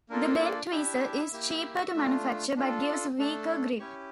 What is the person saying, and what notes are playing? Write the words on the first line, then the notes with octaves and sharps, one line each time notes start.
The bent tweezer is cheaper to manufacture, but gives weaker grip.
A#3 D4 F4 A4 A#4
D4 D5
D4 E4 G4 E5
A#3 E4 G4
A3 D4 F4
D4 F4 A4
A3 D4 A4
C#4 E4 G4 C#5 C#6